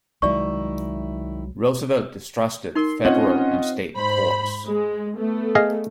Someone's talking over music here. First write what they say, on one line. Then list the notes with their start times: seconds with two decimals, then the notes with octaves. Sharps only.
Roosevelt distrusted federal and state courts.
0.22 C2 D#3 F#3 G#3 E4 D5 C#6
2.75 D#4 A#4 C6
3.05 C4 C#4 F4 C#5 D#5 F#5
3.95 G#2 C5 B5
4.67 G#3
5.17 A3 B3
5.55 G#4 D#5 F5